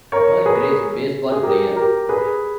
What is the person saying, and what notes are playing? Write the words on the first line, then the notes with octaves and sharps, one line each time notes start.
Earl Grace, baseball player.
A#4 C#5
G#4 B4
G#4
G4 A#4
G4 A#4
G#4 B4